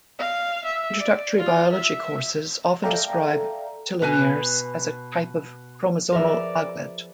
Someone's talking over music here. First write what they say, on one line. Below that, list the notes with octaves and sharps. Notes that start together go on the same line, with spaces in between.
Introductory biology courses often describe telomeres as a type of chromosomal aglet.
F5
E5
D5
F4
E5
A4 D5 E5 F5 G5 A#5
B2 B4 G#5
F3 G#4 A#4 B4 D5 E5